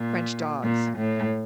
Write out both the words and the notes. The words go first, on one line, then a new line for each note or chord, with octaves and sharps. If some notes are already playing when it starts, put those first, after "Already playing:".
"French dogs!"
Already playing: A#2
A#2
A2